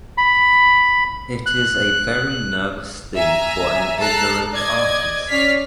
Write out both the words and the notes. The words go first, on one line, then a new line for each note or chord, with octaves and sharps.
It is a very nervous thing for an ignorant artist.
B5
F#6
E5 G#5 A#5
A4 A5 A#5 F#6 C7
D5 D#5 G#6
C#4 D5 F6 B6 C7